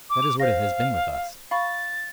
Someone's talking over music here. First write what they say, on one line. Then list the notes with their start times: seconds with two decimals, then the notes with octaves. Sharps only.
That is what it has been with us.
0.10 D6
0.22 F7
0.40 C5 F5 A#6
1.51 F5 B5 C#6 A6